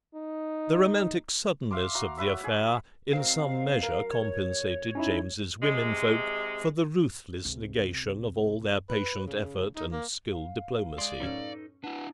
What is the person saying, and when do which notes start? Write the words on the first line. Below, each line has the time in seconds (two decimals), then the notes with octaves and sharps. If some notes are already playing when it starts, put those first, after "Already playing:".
The romantic suddenness of the affair in some measure compensated James's women-folk for the ruthless negation of all their patient effort and skilled diplomacy.
0.15 D#4
1.71 E5 F5 C6 D6
1.95 F#4 F5 A#5
2.17 F#3 B4 E5 E6
2.43 F#4 G#4
3.13 D#3 F#3 C4 F5
3.79 F#2 A#4
4.11 C#5
4.95 C#4 D#4 E4
5.63 C3 G#3
7.45 C#2 C3
8.89 B4
9.27 C#3
9.76 D#4
9.92 A#3
10.31 F5
10.98 G#3 D5 C6
11.20 F#2 A2 C#4 D#4 A4 B4
11.84 D4 E4 B4 F#5